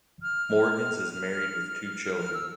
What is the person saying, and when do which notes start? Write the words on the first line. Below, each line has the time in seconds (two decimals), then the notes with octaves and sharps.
Morgans is married with two children.
0.22 F6
2.17 F6
2.34 E6